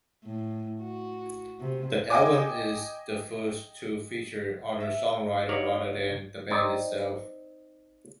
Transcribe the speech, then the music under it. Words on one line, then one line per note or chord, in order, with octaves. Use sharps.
The album is the first to feature other songwriters rather than the band itself.
A2
F#4
C3
D#5 G5 G#5 D6
E5
D#4 F#4 C#5 D5 F5
C4 D#4 C5 D5